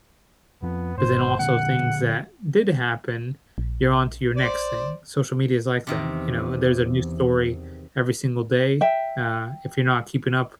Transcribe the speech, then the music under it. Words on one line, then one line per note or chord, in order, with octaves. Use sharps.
but then also things that did happen, you're on to your next thing. Social media is like that, you know, there's a new story every single day, uh, if you're not keeping up
F2 F3 B3
G1 G#2 C5
A#2 D3 A#3 F#5
A#1
C5 D5
E2 C3 D#3 A#4
E5 G5